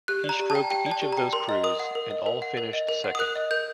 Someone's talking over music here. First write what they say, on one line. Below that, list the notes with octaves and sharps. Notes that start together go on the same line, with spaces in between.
He stroked each of those crews and all finished second.
G4 F#6
D5
A#5
G4
A5
G5
G4 G5
D5
A5
G4
A#5
G5
A#4 C6
D#5
A#4 D#6
F#5
A#4
D#5
A#4
F#5
A#4
D#5
A#4
F#5
D#6
A#4 F#6
D#5
A#4 G6